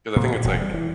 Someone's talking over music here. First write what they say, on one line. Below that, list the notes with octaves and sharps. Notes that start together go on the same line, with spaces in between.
'cause I think it's like
A#2
E1
G3
E3